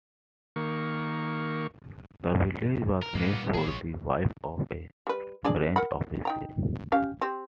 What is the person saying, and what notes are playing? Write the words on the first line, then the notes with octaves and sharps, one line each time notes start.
The village was named for the wife of a French official.
D#3 A#3 C#6
A#4
D2 G#2 E3 A#3 B3
A#2 G3
A1 D#2 G#3 E4 G#4
A#1 A#2 C#3 G#3 C#5
G3 B4
D4 G#4 D5
A#4 F#5 B5
D#4 G5 A#5
C#4 G4 F5
C4 G4